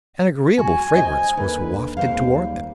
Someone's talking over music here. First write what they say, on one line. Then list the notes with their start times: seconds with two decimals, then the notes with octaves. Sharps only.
An agreeable fragrance was wafted toward them.
0.59 F#4 G#5
0.95 C5 D#5 G5
1.37 D#2 D3 B4
1.97 G#1 D#2 C#3 C5 F5
2.27 D#3 G3